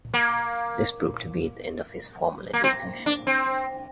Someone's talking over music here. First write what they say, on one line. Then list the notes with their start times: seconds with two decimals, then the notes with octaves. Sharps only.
This proved to be the end of his formal education.
0.14 A#3
2.53 A#3
2.64 C4
3.06 D4
3.27 C4